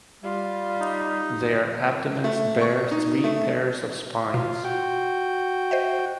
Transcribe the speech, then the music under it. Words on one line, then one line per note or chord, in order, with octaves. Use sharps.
Their abdomens bear three pairs of spines.
G3 F4
D#4
A3
C#6
D#4
A3
B2 F4
F#4 G5
C5 D#5 E5